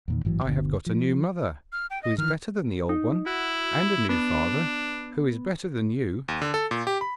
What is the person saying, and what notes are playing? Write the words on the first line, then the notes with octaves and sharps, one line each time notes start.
I have got a new mother, who is better than the old one; and a new father, who is better than you.'
E2 A#2 D#3
A1 G#2 E3 F#3
G1 D2 B2 D3
F3
F6
G5
D#5
D#3 E3 F6
D#4
E4 F#4
B3 D4
D#2
D3
A4
A#2
G4
B5